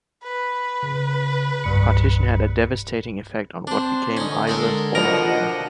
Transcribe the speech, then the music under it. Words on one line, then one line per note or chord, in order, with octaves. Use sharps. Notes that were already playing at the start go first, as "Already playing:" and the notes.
Partition had a devastating effect on what became Ireland's border area.
B4
C#3
D#1 C2 G2 C#7
D1
C4 D4 C5
D3 C#4 D#4
G#3 A4 A#4
B2 F3 D4 A#4 D#5 F#5 A#5